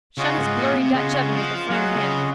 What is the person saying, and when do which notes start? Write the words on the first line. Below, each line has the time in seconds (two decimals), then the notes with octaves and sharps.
Shut his blurry Dutch oven with a firm hand.
0.18 C#3 F4 G#4 D#5 F#5
0.37 G#2
0.56 A#2
0.74 C3
0.94 C#3 F4 G#4 D#5 F#5
1.32 F3
1.69 F#3 F4 G#4 D#5 F#5
1.95 C#3